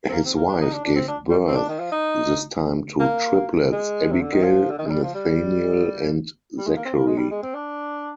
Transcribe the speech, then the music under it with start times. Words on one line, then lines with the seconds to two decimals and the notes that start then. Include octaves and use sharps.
His wife gave birth this time to triplets Abigail, Nathaniel and Zachary.
0.09 C4
0.12 A#3
0.25 C4
0.37 A#3
0.48 D4
0.61 D#4
0.72 D4
0.84 D4
0.96 C4
1.08 D4
1.30 G3
1.48 C4
1.56 D4
1.69 D#3
1.79 F3
1.92 D#4
3.00 A#3
3.72 G#3
4.11 C3
4.21 D3
4.33 D#3
4.43 F3
4.70 D3
4.79 D#3
4.86 G#3
4.91 G3
5.03 F3
5.14 G3
6.58 G3
6.67 G#3
6.76 A#3
6.85 C4
6.94 A#3
7.06 G#3
7.18 G3
7.31 G#3
7.43 C4
7.55 D4